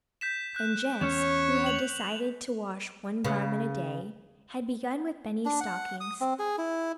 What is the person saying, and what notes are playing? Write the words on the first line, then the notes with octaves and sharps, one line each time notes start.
And Jess, who had decided to wash one garment a day, had begun with Benny's stockings.
G6 B6 E7
F#6 G6
E2 C#4 C#5 E7
F7 F#7
C#3 B3
D4
F#5
D#6
C4
G#4
E4